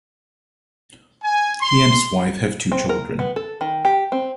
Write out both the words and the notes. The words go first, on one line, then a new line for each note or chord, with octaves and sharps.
He and his wife have two children.
G#5
C6
C4
A#4
B3
A4
D#3
G4
C4